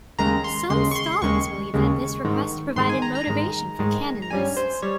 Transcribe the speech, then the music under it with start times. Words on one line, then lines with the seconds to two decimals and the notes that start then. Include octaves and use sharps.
Some scholars believe that this request provided motivation for canon lists.
0.19 D#2 C#3 G#3 A#5
0.44 C6
0.70 D#2 C#3 G#3 C6
0.91 C#6
0.95 C6
1.22 D#2 C#3 G#3 C#6
1.73 D#2 C#3 G#3
2.24 G#2 D#3 G#3
2.76 G#2 D#3 G#3 C6
2.89 G#5
3.02 A#5
3.15 A#5
3.27 G#2 D#3 G#3
3.79 G#2 D#3 G#3
4.22 A#5
4.30 G2 G3 C#4 G#5
4.57 C5
4.82 G3 C#5